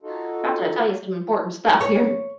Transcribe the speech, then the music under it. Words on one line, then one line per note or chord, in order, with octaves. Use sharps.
I got to tell you some important stuff here.
D#4 F4 F#4 A4
C#5